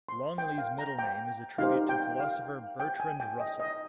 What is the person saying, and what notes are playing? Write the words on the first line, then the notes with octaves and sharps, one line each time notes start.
Longley's middle name is a tribute to philosopher Bertrand Russell.
C6
G5
F5
A#5
G5
D#4 G4 C5 F5
G5
F5
G5
G#5
G5
D#5
D#5